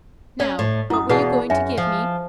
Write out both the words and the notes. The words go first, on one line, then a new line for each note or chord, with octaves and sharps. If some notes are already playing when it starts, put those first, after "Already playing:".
Now, what were you going to give me?
C#4 D5
A2
F#2 E4 D#6
E2 B2 G#4 B4 F5
F#2 E5 G#5
F3